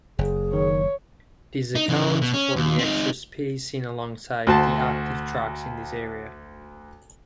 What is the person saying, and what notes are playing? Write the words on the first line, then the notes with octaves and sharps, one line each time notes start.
This accounts for the extra space seen alongside the active tracks in this area.
F#1 G#4
D#3 C#5
D#4
C#3 E3
B2
C#4
D#2
C4 D#4
D2 F#4 C5 A5